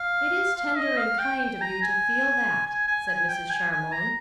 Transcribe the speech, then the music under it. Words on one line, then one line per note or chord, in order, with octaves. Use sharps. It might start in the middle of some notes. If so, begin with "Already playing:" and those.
"It is tender and kind of you to feel that," said Mrs. Charmond.
Already playing: F5
F5
D#5
F5
G5
G5
A#5
G#5
G#5
G#5
G#5
G5
G#5
G#5
A#5